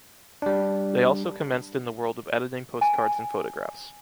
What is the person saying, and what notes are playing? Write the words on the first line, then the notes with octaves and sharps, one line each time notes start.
They also commenced in the world of editing postcards and photographs.
G3 D4
G#5